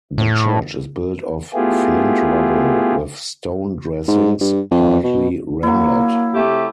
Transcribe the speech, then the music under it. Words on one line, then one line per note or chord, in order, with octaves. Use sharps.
The church is built of flint rubble with stone dressings, partly rendered.
A2
A3 B3 E4 F4 G4 G#4
G#2
G2
F2
B2
F#3 A#3 E4
C3 A3 G4